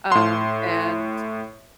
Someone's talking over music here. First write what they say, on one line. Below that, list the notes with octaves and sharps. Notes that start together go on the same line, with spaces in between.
Um, and,
A2 C6